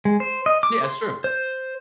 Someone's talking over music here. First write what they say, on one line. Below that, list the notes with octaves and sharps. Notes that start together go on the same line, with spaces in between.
Yeah, it's true.
G#3
C5
D#5
D6
C6
C5